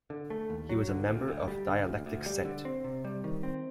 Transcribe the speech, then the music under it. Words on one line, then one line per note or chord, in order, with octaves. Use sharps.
He was a member of Dialectic Senate.
D3
A3
D#2
F#3
D3
D2
D2
G3
D3
D2
D2
G3
D3
C4
C3
G3
D#3
C4